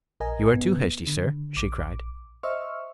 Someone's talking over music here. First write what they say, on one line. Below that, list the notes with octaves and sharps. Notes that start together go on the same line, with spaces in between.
"You are too hasty, sir," she cried.
A#1 A#4 D#5 G#5 A#5
G#2 B3
D3
A#1 D6
C5 D#5 E5 C#6 E6 F6